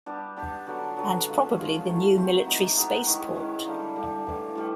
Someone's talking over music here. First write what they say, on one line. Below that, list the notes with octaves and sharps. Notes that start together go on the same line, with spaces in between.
And probably the new military spaceport.
G3 B3 D4 G4
G3 B3 D4 G4
D3 F#3 B3
D3 F#3 B3
G#3 C#4 F4
G#3 C#4 F4
F#3 A3 C4 E4
F#3 A3 C4 E4
G#3 B3 D#4 G4
G#3 B3 D#4 G4
D#3 G#3 C#4 E4
D#3 G#3 C#4 E4
D3 G3 A#3
D3 G3 A#3
A2 E3 G3
A2 E3 G3